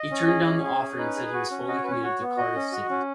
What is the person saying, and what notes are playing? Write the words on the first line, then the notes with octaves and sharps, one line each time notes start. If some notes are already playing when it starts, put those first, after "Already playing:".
He turned down the offer and said he was fully committed to Cardiff City.
Already playing: D#5
C#4
G#4
C#4
G#4
C#4
D#4 B4
G#4
F#4
C#4
F#4 D#5
C#5
C#4 B4
C#5
F#4
B3
F#4 D#5
C#4
F#4
C#4